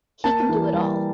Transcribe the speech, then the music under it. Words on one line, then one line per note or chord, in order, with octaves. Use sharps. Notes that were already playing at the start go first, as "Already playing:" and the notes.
He can do it all.
A#3 A5
E3
G3